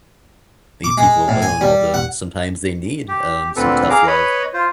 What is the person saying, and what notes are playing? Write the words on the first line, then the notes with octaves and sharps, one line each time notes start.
leave people alone. Although sometimes they need, um, some tough love.
D6
G#3
A2
G#5
G3
F#5
G4
D2 A#2 D3 C4 A4 B4
G#4 F5 A#5 D6
B4 C#5 D#5 B5
F4 C5